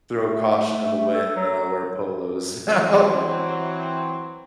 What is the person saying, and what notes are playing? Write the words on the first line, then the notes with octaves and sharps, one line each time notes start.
throw caution to the wind and I wear polos now.
A3
A4
F#3
E3 F#3 C4